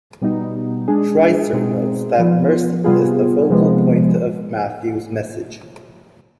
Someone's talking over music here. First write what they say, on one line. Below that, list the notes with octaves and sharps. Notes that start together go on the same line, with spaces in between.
Schweizer notes that mercy is the focal point of Matthew's message.
B2 G3 B3 D#4
G#3 D4 G#4
B2 G#3 C4 D#4 G#4
F3 B3 F4
C3 G3 B3 F4 G#4
C3 F3 G#3 B3